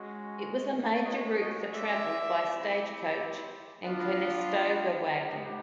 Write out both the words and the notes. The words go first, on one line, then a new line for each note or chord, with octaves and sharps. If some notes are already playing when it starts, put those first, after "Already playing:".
It was a major route for travel by stagecoach and Conestoga wagon.
Already playing: G#3 C#4 F#4
G#3 C#4 F#4 C#5 D#5
C#5 D#5
D5 E5
C4 E4 G4
B3 D4 F4
D#5 F5
B3 D#4 G4